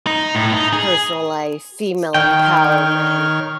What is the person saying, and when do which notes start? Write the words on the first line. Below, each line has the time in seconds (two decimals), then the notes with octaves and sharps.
personal life, female empowerment,
0.07 D#4
0.35 A2
0.53 D#4
0.73 G#4
2.14 D#3 C#5 G5 F6